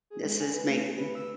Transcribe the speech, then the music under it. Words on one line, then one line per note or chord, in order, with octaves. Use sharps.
this is making
G#4
G#3
G#5
B4
A3
A3
B4
E6